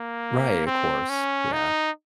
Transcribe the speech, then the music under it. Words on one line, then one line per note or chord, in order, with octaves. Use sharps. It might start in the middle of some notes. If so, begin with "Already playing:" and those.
Right, of course, yeah,
Already playing: A#3
C4
C#4
D#4